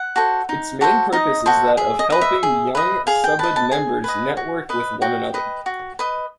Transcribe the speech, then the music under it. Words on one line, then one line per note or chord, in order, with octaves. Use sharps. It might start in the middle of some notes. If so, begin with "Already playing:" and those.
Its main purpose is that of helping young Subud members network with one another.
Already playing: F#5
F#4 A4 C5
D#4
F#4 A4 C5
D#4 D#5
F#4 A4 C5
G#4 E5
D#5
B4 D#5
E5
G#4
B4 D#5
G#4 F5
G5
B4 D#5 A5
A5
G#4 G#5
B4 D#5
F#4
B4 D#5
F#4 G5
B4 D#5
F#4
B4 D#5